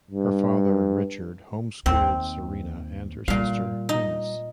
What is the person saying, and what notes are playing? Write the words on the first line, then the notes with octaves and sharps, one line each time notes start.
Her father, Richard, home-schooled Serena and her sister Venus.
G2
D#2 C4
A#2 G3 F5
D#4